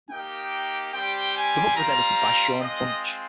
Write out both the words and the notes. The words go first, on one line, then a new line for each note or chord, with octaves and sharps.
The book was edited by Sean Punch.
A#3 D#4 G4 G5
G3 C4 G4 G5
G#5
G3 C4 F4 A#5
G#3 C4 F4 D#5